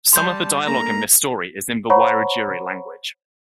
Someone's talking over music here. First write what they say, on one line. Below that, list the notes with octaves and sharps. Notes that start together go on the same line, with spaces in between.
Some of the dialogue in this story is in the Wiradjuri language.
G3 A5 C6 G6
A3 A#3 D4 A#4 A#5
C5 C#5 F#5 A#5 B5 C#6